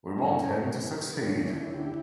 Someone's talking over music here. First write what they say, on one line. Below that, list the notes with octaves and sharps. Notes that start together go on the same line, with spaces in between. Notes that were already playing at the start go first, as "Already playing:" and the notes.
We want him to succeed.
F#2 E3 A#4 C#5
F#2 E3 G4 B4
D2 D3 A#3 C#4
E4
D4
C#4 E4
D2 D3 E4 G4